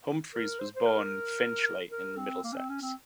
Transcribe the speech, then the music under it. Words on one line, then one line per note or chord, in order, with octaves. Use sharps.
Humphreys was born in Finchley in Middlesex.
A#4
C5
C5
A#4
A#4
C4
A#3
C#4
C4
C#4
C4